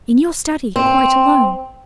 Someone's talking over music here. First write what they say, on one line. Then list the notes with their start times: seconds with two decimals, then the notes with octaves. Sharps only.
'In your study, quite alone.
0.76 C4